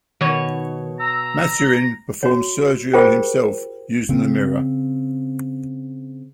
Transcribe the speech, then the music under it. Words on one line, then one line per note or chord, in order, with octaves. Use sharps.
Maturin performs surgery on himself using a mirror.
B2 D#3 C#5
A#5 E6
F#4 C#5
F4 G4 G#4 A#4 C5 G5
C#3 C4